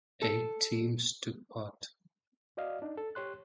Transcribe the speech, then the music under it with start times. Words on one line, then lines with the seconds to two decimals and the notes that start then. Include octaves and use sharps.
Eight teams took part.
0.22 A4
2.57 F#4 D5 D#5 F5
2.82 D4 D#4
2.97 A4
3.15 G4 C#5 C6 F#6